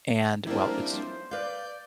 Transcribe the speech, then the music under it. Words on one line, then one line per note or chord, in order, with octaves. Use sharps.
And, well, it's
G3 A#3 C4 D4 E4 A#4
B1 F3 C5
B4 D5 F5 G6